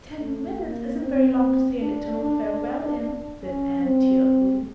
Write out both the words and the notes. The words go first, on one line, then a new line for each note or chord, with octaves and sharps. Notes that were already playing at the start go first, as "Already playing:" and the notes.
"Ten minutes isn't very long to say an eternal farewell in," said Anne tearfully.
A3
A#3
C4
D4
D4
C#4
C4